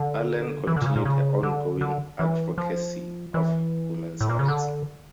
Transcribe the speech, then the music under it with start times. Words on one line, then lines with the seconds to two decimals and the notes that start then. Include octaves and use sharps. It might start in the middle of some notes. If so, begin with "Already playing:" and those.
Allen continued her ongoing advocacy of women's rights.
Already playing: D3
0.67 E3
0.76 D3
0.82 A#2
0.86 C#3
0.96 A#2
1.05 C#3
1.43 D3
1.81 D3
2.20 E3
2.58 F3
3.34 E3
4.21 A2
4.29 A#2
4.39 C#3
4.48 D3